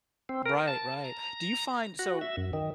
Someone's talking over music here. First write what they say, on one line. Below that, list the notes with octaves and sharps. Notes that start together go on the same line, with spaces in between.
Right, right. Do you find so,
C4
A#4
A5
A#5
F#4
E5
F#2
D#3